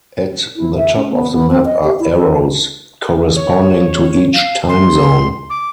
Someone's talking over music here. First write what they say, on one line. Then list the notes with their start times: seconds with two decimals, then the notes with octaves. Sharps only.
At the top of the map are arrows corresponding to each time zone.
0.56 E4
0.77 E5
0.96 C#4
1.11 B3
1.32 B3
1.50 C4
1.65 D#5
1.83 G4
2.00 E4
2.15 A4
3.36 C#5
4.33 F5
4.69 C6
5.50 D6